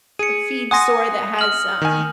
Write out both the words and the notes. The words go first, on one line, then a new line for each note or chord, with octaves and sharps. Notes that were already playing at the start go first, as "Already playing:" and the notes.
a feed store that has, um,
G#4 C#7 D#7
F#5 G#5 C6 D#6 A#6
F6 F#7
D#3 G#5